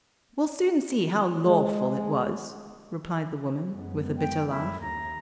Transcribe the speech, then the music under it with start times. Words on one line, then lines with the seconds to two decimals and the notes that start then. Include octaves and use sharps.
"We'll soon see how LAWFUL it was," replied the woman, with a bitter laugh.
1.46 G#3
3.70 F#2 G#3 B3
4.18 G5
4.50 F#2 E4
4.81 D#2 A#5